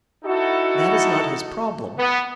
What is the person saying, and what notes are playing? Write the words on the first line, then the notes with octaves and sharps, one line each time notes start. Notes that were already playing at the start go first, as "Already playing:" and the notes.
That is not his problem.
D#4 E4 F#4 A4
B3